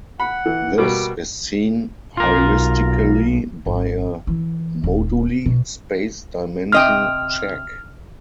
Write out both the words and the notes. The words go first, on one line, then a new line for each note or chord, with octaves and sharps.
This is seen heuristically by a moduli space dimension check.
F#5 B5
E3
B2 G3 A#3 D6
B1 F4 A#4
G#1
E3
D#1
B2
C3 D#5 G5 F6